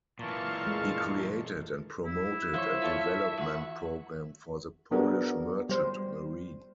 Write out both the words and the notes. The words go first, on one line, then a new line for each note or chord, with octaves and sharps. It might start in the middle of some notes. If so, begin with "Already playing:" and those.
He created and promoted a development program for the Polish merchant marine.
A#2 E3 F5 A5 C#6
G#3
E4
F3 C5 C#5 E5
F4 A4 C#5
E2 F#4
B3 D4 F#4 G#4 A#4
G3 C5